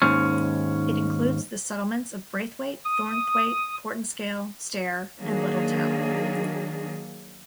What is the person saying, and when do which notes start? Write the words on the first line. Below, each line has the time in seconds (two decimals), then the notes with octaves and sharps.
It includes the settlements of Braithwaite, Thornthwaite, Portinscale, Stair and Little Town.
0.02 D#2 G#2 C#4
2.85 D#6
5.20 D#3 F#3 A#3 D4 G#4